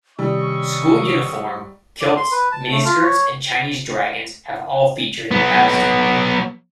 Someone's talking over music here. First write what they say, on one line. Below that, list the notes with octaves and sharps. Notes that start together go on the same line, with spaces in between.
School uniform, kilts, miniskirts and Chinese dragons have all featured in the past.
C3 D#3 G3 C#4 D#5 C#6 E6
D5
C6
B4
A5
A3
F4
C#5
F#3 B3